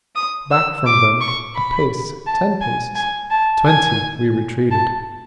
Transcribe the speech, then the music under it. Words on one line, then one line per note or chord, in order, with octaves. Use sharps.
Back from them, a pace, ten paces, twenty, we retreated.
D#6
E6
D6
C#6
B5
A5
G#5
G#5
A5
G#5
A5